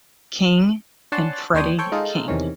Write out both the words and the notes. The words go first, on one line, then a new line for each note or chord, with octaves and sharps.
King and Freddie King.
D4 C#5 F#5 G#5 A5 C6
D#2 D4 C5 C#5 G5 D#6
A4 C5 C#5 G5 C#6
G#3 D#4 F4 A4
E2 C3 D#3 C#4